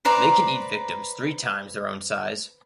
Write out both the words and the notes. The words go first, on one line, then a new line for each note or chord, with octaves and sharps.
They can eat victims three times their own size.
B4 C5 D5 A#5